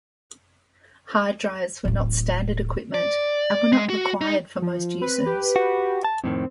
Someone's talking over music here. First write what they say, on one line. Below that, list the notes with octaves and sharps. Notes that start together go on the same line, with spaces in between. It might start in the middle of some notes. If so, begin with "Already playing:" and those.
Hard drives were not standard equipment, and were not required for most uses.
D1 A1
D5
G#3
F#4
D#4
F3
C4 B4
G4
F#4
A5
F2 A2 D#3 C4